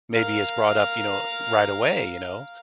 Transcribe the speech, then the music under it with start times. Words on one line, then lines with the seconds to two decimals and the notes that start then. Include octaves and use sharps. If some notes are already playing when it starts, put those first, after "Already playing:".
maybe is brought up, you know, right away, you know?
0.12 A#4 F5